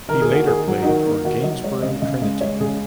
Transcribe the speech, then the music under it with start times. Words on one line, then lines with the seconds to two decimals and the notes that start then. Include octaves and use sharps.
He later played for Gainsborough Trinity.
0.08 D#3 A#4
0.22 G#4
0.28 A#3
0.35 F#4
0.47 D#3 G#4
0.67 F#3
0.82 D#4
0.86 D#3 F#4
1.05 A#3 D#4
1.24 D#3 F#4
1.44 F#3 D#5
1.64 G#3 C#5
1.82 C#3 D#5
2.02 C#3 D#5
2.22 G#3 D#5
2.41 G#3 C#5
2.60 C#3 G#4